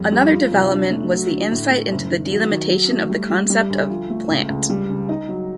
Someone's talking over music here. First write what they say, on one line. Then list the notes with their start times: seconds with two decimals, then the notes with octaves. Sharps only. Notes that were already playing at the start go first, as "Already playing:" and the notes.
Another development was the insight into the delimitation of the concept of 'plant'.
Already playing: F2 G3
0.12 G3
0.32 F3
0.51 F1
0.71 D4
0.91 A3
1.11 F#3
1.31 D3
1.52 A2
1.70 A3
1.91 F#1
2.10 D#3
2.30 F#3
2.50 D#3
2.70 F#3
2.90 A3
3.10 G3
3.30 G3
3.50 G3
3.70 D2
3.90 F3
4.10 A3
4.30 C#2
4.49 C#2
4.70 G3
4.89 C#3
5.09 D#4
5.29 F#3